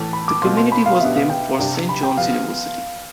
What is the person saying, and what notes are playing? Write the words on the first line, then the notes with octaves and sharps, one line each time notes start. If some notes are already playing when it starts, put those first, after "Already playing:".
The community was named for Saint John's University.
Already playing: A2 E3 A3 A5
B5
D6
B2 A3 C4 F4 C6
C6
B5
F5
B2 G3 B3 D4 E5
F5
G5
C3 G3 D4
B5
G5
F3 B3 F4 F5